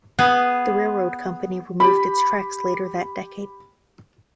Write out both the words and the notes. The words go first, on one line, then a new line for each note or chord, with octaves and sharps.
The railroad company removed its tracks later that decade.
B3 G#4
G4 B5